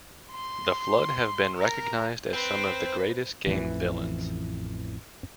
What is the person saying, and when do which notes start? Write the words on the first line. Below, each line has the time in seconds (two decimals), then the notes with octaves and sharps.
The Flood have been recognized as some of the greatest game villains.
0.32 C6
1.57 A#4
2.33 C4 B4 C5
3.47 A1 F2 E3